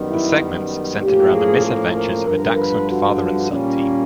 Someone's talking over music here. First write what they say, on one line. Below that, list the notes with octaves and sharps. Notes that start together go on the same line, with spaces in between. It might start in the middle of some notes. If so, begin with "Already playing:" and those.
The segments centered around the misadventures of a dachshund father-and-son team.
Already playing: F#2 D#3 G3 B3
E4
A2 F3 A#3 C#4 G4
G#4
A4
A#4
G2 D3 F3 A#4
B4
F#4
A#2 G3 A#3 C#4